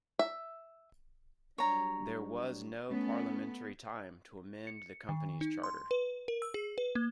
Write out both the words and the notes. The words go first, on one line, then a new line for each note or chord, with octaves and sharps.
There was no parliamentary time to amend the company's charter.
E5
F#3 G3 D4 C#5 A#5
A3 B3 C#4
C#7
D#3
D#4
C6
B4
A#4
E6
G#4
B4
A#3